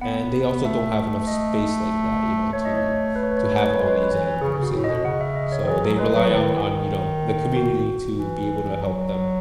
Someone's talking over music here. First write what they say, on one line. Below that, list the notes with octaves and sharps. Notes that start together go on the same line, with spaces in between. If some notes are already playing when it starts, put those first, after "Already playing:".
and they also don't have enough space like that, you know, to to have all these animals in there, so they rely on on, you know, the community to be able to help them,
B3 F#5
A3 E5
D#5
A3 C#5
D#5
C#5
B4
C#5
B4
C#5
B4
C#5
B4
C#5
B4
G#3 C#5
B4
C#5
B4
E3
C#3 G#4
C#3 F#4
A2
D#5
B2
C#3 F#5
E5
D#5
C#5
D#3
E3 G#4
F#3 A4
F#3
G#3 B4
F#3 B4
D#3 E4
E3
D#3
F#4
E3
F#3